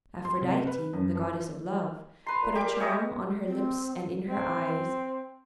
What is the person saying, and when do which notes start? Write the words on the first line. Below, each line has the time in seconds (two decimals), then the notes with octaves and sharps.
Aphrodite, the goddess of love, put a charm on her lips and in her eyes.
0.25 C6
0.41 C3
0.67 B4
0.93 F#2
1.15 F3
2.27 B4 A#5 C6
2.42 A#2
2.56 G4 A#4 D6
2.80 G#3 C#5 E5 A#5 D#6
3.46 C4
4.28 C4